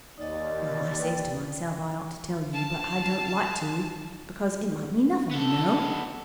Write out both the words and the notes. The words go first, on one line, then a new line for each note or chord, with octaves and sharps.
"Well, I says to myself I ought to tell you, but I don't like to because it might be nothing, you know!"
D#2 D#4 D5 D#5
B4 G5
F5 A5
B3 A4